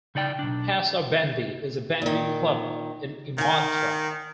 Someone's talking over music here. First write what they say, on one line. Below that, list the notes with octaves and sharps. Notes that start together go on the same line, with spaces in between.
PaSa Bandy is a bandy club in Imatra.
C#3 D#4 D5 G5
B1 D4
A#2 D#3
D#3 F5 G#5